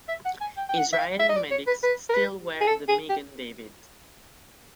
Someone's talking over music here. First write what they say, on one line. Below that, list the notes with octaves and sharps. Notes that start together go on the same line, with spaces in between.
Israeli medics still wear the Magen David.
E5
F#5
G#5
G5
G5
F#5
E5
F5
E5
D#5
D5
C#5
B4
B4
A#4
B4
G#4
A4
G#4
G4